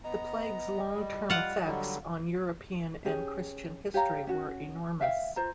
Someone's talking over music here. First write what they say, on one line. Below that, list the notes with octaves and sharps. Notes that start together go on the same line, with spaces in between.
The plague's long-term effects on European and Christian history were enormous.
B3 D#5 A#5
G3
F4 F#5
D3 F#3 G3
C#4 G4 G#4 C#5
G4 C#5 F5 A#5
C#4 F#4
E5 F5 G5
F4 C5 A#5